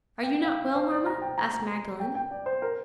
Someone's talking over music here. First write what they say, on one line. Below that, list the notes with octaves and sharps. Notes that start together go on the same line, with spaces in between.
"Are you not well, mamma?" asked Magdalen.
G5
G5
F5
C5
D5
A#5
G5
A#5
A#5
G5
G5
D5
C5
A#4